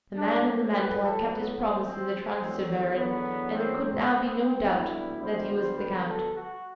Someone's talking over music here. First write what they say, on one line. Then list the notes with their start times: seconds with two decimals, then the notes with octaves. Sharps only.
The man in the mantle had kept his promise to the Transteverin, and there could now be no doubt that he was the count.
0.17 A2 F#3 A3 D4
0.46 C4
0.73 B4
1.01 A4
1.29 B3
1.58 C4
1.85 C4
2.14 C4
2.42 E2 D3 F#3
2.97 B3
3.54 C4
3.82 C4
4.10 C4
4.39 C4
4.66 D2 D3 G3 B3 E4
5.23 C5
5.50 C5
5.79 B4
6.07 A4
6.35 F#4